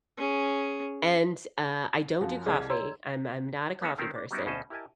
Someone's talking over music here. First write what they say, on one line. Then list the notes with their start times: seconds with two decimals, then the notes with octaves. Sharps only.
and, uh, I don't do coffee, I'm I'm not a coffee person,
0.17 C#4 G#4
2.21 F#2 F3 F#4 F5
2.46 C2 G#4 D5 D#5 G#6
2.70 C#5 A#5 C6 E6
3.81 A#3 B3 C#4 G#4 C#5 E5
3.98 D#3 A3 C4 C#4 A#4 C5
4.16 D4
4.31 F#3 G3 B3 C#4 D#4 E4
4.45 D2 B2 C#4 C5 D#5 A5
4.70 E4 G4 A#4 D#5 G#5 A5